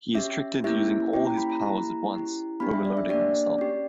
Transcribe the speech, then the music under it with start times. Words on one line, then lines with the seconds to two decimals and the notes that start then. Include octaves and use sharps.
He is tricked into using all his powers at once, overloading himself.
0.14 C#4 G4 E5
0.64 A#3 C#4 E4 G4 E5
1.13 A#3 C#4 E4 G4 G5
1.25 A#5
1.37 B5
1.50 A#5
1.56 B5
1.62 A#3 E4 G4 A#5
2.12 C#4 E4 G4
2.60 B3 D4 G4 B5
2.73 E5
2.85 D5
2.97 E5
3.09 A#3 D4 G4 D5
3.58 C#4 G4